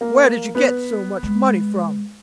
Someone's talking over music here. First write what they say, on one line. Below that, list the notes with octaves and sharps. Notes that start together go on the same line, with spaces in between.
'Where did you get so much money from?'
A#3
B3 B4
G#3